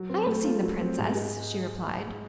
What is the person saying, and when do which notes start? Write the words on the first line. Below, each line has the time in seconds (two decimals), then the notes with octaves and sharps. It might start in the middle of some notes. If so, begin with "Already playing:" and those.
"I have seen the princess," she replied.
Already playing: F#3
0.10 C4
0.27 A3
0.44 F4
0.63 F#3
0.81 C4
0.98 G#2
1.15 G#3